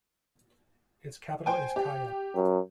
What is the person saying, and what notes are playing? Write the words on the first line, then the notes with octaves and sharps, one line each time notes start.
Its capital is Kaya.
C5 G5 G#5
G4
F#2